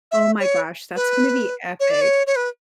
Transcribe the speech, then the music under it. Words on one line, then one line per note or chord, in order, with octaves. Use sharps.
Oh my gosh, that's gonna be epic.
E5
C#5
B4
C#5
D5
C#5
C#5
B4